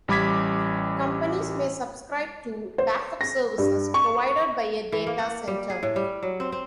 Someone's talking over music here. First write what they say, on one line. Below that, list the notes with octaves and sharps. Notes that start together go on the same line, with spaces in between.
Companies may subscribe to backup services provided by a data center.
A1 G3 B5 D6 G#6 B6
C5
A#6
G2
C#6
E3
A#3
F#5
G3
G#4
A2
G3
F#3
C4
C4